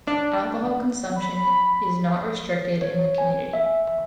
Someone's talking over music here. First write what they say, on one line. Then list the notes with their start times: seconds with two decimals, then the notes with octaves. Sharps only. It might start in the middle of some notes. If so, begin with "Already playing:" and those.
Alcohol consumption is not restricted in the community.
0.07 D4
1.16 B5
2.81 C#5
3.18 G#5
3.53 E5